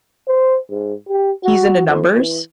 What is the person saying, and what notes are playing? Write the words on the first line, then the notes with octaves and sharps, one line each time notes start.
he's into numbers,
C5
G#2
G4
F#4
F2
E3